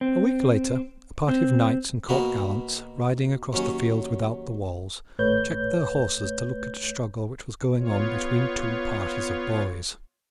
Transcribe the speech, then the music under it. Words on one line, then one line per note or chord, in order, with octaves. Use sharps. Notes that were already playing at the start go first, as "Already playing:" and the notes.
A week later a party of knights and court gallants, riding across the fields without the walls, checked their horses to look at a struggle which was going on between two parties of boys.
C4
C4
B2 A#3 B3 F#4
D#2 F#3 C#4
G#1 A2 A3 B4 C#5 G6
B3 F4 C#5